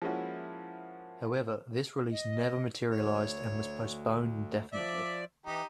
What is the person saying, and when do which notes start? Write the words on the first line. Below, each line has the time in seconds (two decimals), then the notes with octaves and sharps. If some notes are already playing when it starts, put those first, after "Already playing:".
However, this release never materialized and was postponed indefinitely.
0.02 F3 G#3 A#3 C#4 E4 F#4
2.11 D#5
2.92 D2 C#5
4.73 F3 D5 E5
5.46 E3 D#4 G4